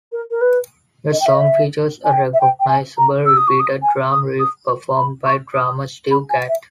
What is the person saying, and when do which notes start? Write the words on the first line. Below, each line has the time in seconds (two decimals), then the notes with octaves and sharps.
The song features a recognizable repeated drum riff performed by drummer Steve Gadd.
0.12 A#4
0.31 A#4
0.41 B4
1.12 D#5
1.20 G5
1.26 E5
1.34 D#5
1.40 E5
2.04 G#5
2.12 G5
2.33 E5
2.40 G5
2.60 G5
2.68 G#5
2.98 A#5
3.26 E6
3.37 D#6
3.48 C#6
3.60 D#6
3.82 G#5
4.11 D#6
4.40 D#6
4.97 B5
5.25 C#6
5.54 D#6
6.11 B5
6.30 G#5
6.49 E5